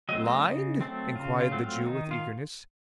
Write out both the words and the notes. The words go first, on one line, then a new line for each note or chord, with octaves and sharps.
'Lined?' inquired the Jew, with eagerness.
F#3 A3 C4 D#5
D#5
C#3
F#3 A3 C4
C#3 F4
F4
F#3 A3 C4
F4
D#3 D#4
F4